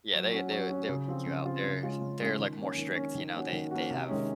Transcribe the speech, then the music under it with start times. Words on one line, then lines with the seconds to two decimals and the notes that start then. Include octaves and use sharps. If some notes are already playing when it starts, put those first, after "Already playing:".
yeah, they they they would kick you out. They're they're, like, more strict, you know, they they have
0.13 F#3
0.32 C#4 F#4
0.51 F#3
0.70 C#4 F#4
0.89 C#3
1.07 F3 C4 F4
1.26 C#3
1.45 F3 C4 F4
1.64 C#3
1.83 G#3 C#4 F4
2.02 C#3
2.21 G#3 C#4 F4
2.39 D#3
2.58 A#3 C#4
2.77 D#3
2.95 A#3 C#4
3.15 D#3
3.33 A#3 C#4 F#4
3.53 D#3
3.71 A#3 C#4 F#4
3.90 C3
4.09 D#3 G#3 C#4